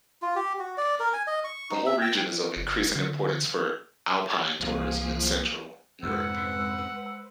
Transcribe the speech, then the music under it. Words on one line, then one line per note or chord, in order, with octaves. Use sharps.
The whole region is of increasing importance for alpine tourism in Central Europe.
F4
G4
F#4
D5
A#4
G#5
D#5
C#6
D#4
E5
G5
F#1
D3
C2 E3 F3 A#3 G#4
F2 G#2 C3 G#3 B4 C5 F#5 E6